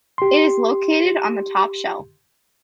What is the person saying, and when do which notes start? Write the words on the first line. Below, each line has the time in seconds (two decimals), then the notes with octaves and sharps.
It is located on the top shelf.
0.18 G4 C6